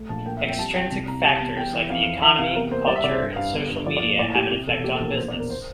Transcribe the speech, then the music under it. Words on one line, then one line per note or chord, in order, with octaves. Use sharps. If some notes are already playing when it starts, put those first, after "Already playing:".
Extrinsic factors like the economy, culture and social media have an effect on business.
Already playing: A3
A#1 A5
A#3 G5
E5
F2
G5
G3 A5
G3 G5
C2 A5
C2 A#5
G3 A5
E2
E2 G5
E3
F2 F5
F2
E3 E5
C3 F5
E2 A#4
A#3 C5
G3 D5
E5
C2 D5
C5
G2
G2 F5
G1 F5
G2
F3 D5
D5
A#2
A2 D5
A2 G4
C3 G4
E1 A4
A#2 G4
A4
A#1
A#4
E2 C5
D5
E2
A#4
C5